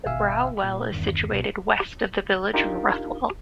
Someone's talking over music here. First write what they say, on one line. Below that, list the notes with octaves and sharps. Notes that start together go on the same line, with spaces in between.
The Brow Well is situated west of the village of Ruthwell.
G#1 B2 E5 F5 G#5 E6
A#2
E2 G2 D#3
C2 B2
D4 D#4 F4 G4 A#4 F5